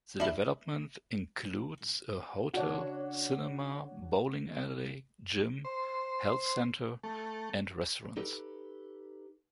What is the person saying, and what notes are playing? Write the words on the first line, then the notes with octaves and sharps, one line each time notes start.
The development includes a hotel, cinema, bowling alley, gym, health centre and restaurants.
D4 E4
C#3 D4 F#4 C#5 F5
C5
A3
D#4 G4 A4 B4